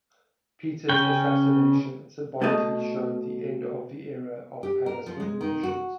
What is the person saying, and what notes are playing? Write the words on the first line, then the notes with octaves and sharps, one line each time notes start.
Peter's assassination symbolically showed the end of the era of palace revolutions.
C#3 C#4 G5
B2 A3 D#5 A5
G4
A#4
F3
G#3
D#3
F#4